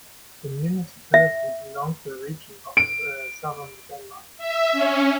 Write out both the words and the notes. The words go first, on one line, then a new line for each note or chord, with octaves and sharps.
The municipality belong to Region of Southern Denmark.
E5
D7
E5
C#4